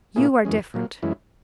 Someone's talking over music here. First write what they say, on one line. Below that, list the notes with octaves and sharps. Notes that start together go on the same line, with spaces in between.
You are different.
A#2 A#3 C#4 E4 G#4
F#2 E3 G#3 C#4
A#2 F#3 A#3
F#2 E3 G#3 C#4 E4